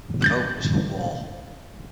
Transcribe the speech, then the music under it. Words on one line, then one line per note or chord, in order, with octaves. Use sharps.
The vote was for war.
F#6 G6 A6